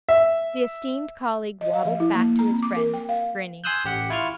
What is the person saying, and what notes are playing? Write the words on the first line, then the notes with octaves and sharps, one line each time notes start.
The esteemed colleague waddled back to his friends, grinning.
E5
D#5
F5
F3
E4
A#3
A#5
C4
D6
A#4
G5
F5
G#5 C6 D#6 E6 F#6 G6
A1 G4 F#5
E4 F4 C6 C#6 F6